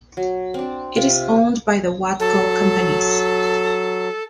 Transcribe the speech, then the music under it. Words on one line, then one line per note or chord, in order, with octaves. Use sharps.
It is owned by the Watco companies.
F#3
C4 D4
C3 F4 E5
F#3 A4